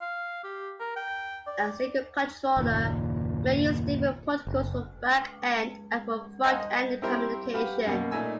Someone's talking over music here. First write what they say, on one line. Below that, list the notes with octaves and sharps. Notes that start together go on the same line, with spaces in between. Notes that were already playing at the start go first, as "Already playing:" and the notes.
A single controller "may" use different protocols for back-end and for front-end communication.
F5
G4
A#4
G5
D5
F#1 D#2 A#2
F#1
C5 D#5 F5 F#5 G#5 A#5
D#5
C4 E4 G4 A#4 C5
F#4 G4 B4 F5
F#2 B2 A#3
A#2 A3 D#4 G#5 E6